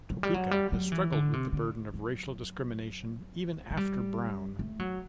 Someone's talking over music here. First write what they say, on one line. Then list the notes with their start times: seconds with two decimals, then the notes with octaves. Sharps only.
Topeka has struggled with the burden of racial discrimination even after Brown.
0.10 F#3
0.23 G3
0.34 F#3
0.51 G3
0.72 F#3
0.92 E3
1.12 D3
1.33 C3
1.53 D3
1.94 F#3
3.71 A3
3.77 G3
4.59 A3
4.79 F#3